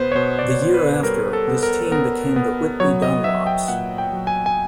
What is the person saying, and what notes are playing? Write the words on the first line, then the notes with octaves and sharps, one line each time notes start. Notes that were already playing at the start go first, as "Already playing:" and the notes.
The year after, this team became the Whitby Dunlops.
Already playing: B2 B3 B4 C5
C#5
B2 C5
D5
C#5
B3 C5
B4
A4
G3 A#4
A4
B3
A#4
B3 A#4
B3
F#3 C#5
D#5
F#3 E5
G5
A#2 F#5
G5
F#3
G#5
G#5